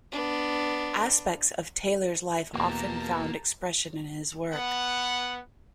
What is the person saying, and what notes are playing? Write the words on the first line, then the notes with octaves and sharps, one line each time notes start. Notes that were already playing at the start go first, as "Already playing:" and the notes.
Aspects of Taylor's life often found expression in his work.
B3 D4
E2 B2 A#3 G4 A5 A#5
B3 F#5